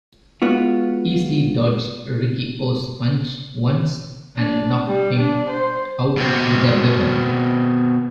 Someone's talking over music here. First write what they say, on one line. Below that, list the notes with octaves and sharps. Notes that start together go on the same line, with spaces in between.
Easily dodged Riki-Oh's punch once, and knocked him out with the weapon.
G#3 B3 F4 F#4
D4
G3
D4
C5
B2 C4